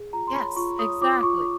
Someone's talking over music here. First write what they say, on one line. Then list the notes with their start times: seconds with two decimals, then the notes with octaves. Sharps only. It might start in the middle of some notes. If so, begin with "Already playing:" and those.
Yes, exactly.
Already playing: G#4
0.13 F4 A#5
0.27 C6
0.35 C#5 B5
0.56 F4 C#6
0.79 C#5 D#6
1.01 F4 D6
1.23 F4 C#6